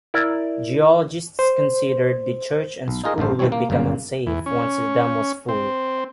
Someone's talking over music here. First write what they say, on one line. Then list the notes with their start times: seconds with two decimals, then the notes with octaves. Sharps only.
Geologists considered the church and school would become unsafe once the dam was full.
0.14 E4 A#4 D5
1.39 C5
2.88 B1
3.04 D#4 F4 G#4 A#4 D#5
3.18 A1 G2 A3 C5
3.39 C3 E3 F#3 G3 C4 C#5
3.52 A#3
3.70 G1 F#2 C#3 A#3
4.26 E2
4.46 C#4
5.49 C4